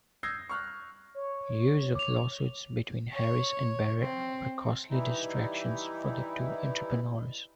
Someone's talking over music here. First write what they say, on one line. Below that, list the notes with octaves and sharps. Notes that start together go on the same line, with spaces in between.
Years of lawsuits between Harris and Barrett were costly distractions for the two entrepreneurs.
D#6 E6 G6 G#6 A#6 C7
C#6 F6 F#6
C#5
D6 F7
C#5
C4
E3 G3 D#4 E4